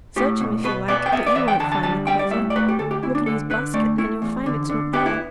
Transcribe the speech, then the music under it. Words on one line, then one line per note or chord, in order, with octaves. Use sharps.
Search him, if you like, but you won't find the clover; look in his basket and you'll find it's not there.
A2 G4
B2
B2 B4
B3 D5
G5
B3 E5
D5
E2 E5
G5
D3 A5
A5
G3 A5
G3 G5
D5
A2 E5
D5
A3 B4
G4
D2 A4
G4
D2 E4
D4
D3 A4
D3 B4
A3 D5
A3 E4
E2
D3
D3
B3 G4
E4